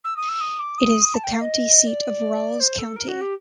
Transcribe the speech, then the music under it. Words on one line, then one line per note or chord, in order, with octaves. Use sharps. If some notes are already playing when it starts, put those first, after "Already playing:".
It is the county seat of Ralls County.
E6
D#6
E6
D#6
D6
D#6
A5
G5
F5
D#5
D5
C5
A4
A#4
F#4
G4